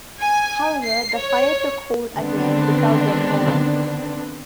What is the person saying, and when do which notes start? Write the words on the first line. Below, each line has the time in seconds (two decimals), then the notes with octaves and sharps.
However, the fire took hold again without them knowing.
0.20 G#5
0.83 C7
1.15 C#5
2.17 D3 D#3 B3 C4 D4